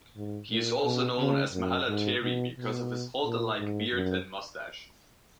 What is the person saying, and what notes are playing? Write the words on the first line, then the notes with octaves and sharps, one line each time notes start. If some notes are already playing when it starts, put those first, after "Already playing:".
He is also known as "Mahaletere" because of his halter-like beard and mustache.
G#2
A#2
B2
C#3
F#2
G#2
B2
B2
A#2
G#2
F#2